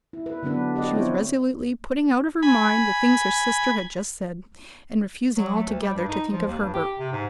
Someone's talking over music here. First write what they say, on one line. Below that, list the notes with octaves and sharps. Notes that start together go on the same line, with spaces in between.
She was resolutely putting out of her mind the things her sister had just said, and refusing altogether to think of Herbert.
E4
B4
D3 F#3 B3 D4 B4
G4 D5 D#5
B3 C4 E4 F4 C5 C#5
G#5 B5
F#3
A3
D2
G3
G2
D#4
F3
D#2
G2
G4
C3
G#2